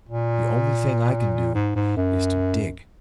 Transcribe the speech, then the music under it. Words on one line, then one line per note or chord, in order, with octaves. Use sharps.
The only thing I can do is to dig.'
A#2
G#2
G#2
F#2